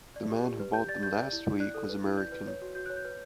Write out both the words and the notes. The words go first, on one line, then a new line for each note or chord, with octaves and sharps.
The man who bought them last week was American.
D5
G4
G4
B4
G4 G6
D5 A6
G4 G6
D5
E4
E4
D5 F#6
A4
B4
E4
D5 G6
B4
C#5
F#4
F#4 G6
C#5 F#6
G6
B4